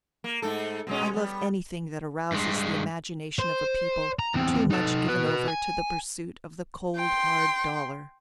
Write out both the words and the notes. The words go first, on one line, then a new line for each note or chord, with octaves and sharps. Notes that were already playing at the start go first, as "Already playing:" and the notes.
I love anything that arouses the imagination of a people too much given over to the pursuit of the cold, hard dollar.
A#3
G#2 A3 A4
B2 G#3 C#4
G3 B3
G2 G#3
C5
A#5
E2 C4
D#4 A4
F#4 B4
G#5
G5 C6